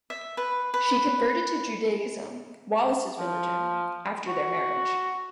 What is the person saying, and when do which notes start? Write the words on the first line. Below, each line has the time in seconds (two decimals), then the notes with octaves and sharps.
She converted to Judaism, Wallis's religion, after their marriage.
0.10 E5
0.37 B4
0.74 B4
3.19 F3
4.27 F#4